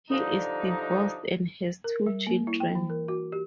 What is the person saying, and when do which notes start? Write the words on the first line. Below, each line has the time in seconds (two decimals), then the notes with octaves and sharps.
He is divorced and has two children.
0.10 D3 F3 G3 D4 D#4
1.84 A#4
2.06 G3
2.27 A#3
2.47 E4
2.60 G5
2.75 E3
2.90 A#4
3.08 F#4
3.32 G4